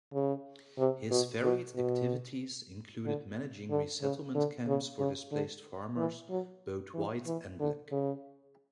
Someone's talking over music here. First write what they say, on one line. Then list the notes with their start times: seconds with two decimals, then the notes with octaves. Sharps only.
His varied activities included managing resettlement camps for displaced farmers, both white and black.
0.13 C#3
0.78 C3
1.11 B2
1.43 B2
1.75 B2
3.06 D3
3.70 D3
4.02 C#3
4.35 D3
4.67 C#3
5.00 C#3
5.32 D3
5.97 E3
6.30 F#3
6.94 E3
7.27 E3
7.60 D3
7.92 C#3